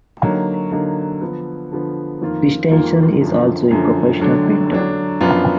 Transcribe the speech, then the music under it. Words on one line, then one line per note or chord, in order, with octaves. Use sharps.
Christensen is also a professional painter.
D3 F#3 A#3 D#4
D3 F#3 A#3 D#4
D3 F3 B3
D3 F3 B3
F2 D#3 A#3 F4
F2 D#3 A#3 F4
F#2 D3 F3
F#2 D3 F3
D3 F#3 D4
D3 F#3 D4
F#2 F3 B3 D4 F4